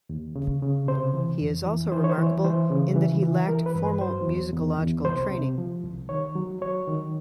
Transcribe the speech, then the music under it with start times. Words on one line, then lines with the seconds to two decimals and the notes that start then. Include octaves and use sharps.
He is also remarkable in that he lacked formal musicological training.
0.09 D#2
0.36 C#3
0.62 C#3
0.88 C3 C5
1.14 E3
1.40 F2
1.66 E3
1.92 E3 C5
2.04 C#5
2.10 C5
2.18 E3
2.27 C#5
2.44 E3 C5
2.70 C#3
2.96 E3
3.23 E3
3.48 E3 A#4
3.66 B4
3.75 G2
3.83 B4
4.01 F#3 C5
4.27 E2
4.53 E2
4.79 E2
5.05 C2 C5
5.31 C3
5.58 F3
5.84 C2
6.09 D#3 C#5
6.35 F#3
6.61 F#3 C#5
6.88 D#3